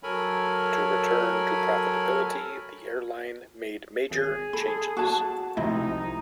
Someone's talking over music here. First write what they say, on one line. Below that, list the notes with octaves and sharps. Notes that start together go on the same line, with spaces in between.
To return to profitability, the airline made major changes.
F#3 A4 A#4 C#5 G#5 B5
G#1 G#4
A4 B5
F#4 A5 C#6
C2 C3 F3 A3 D#4 E4 D#5